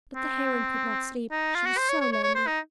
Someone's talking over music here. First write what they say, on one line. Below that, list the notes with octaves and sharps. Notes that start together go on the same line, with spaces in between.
But the Heron could not sleep, she was so lonely.
C4
D#4
F4
F#4
C5
C#5
C#5
C#5
C#5
C5
D#4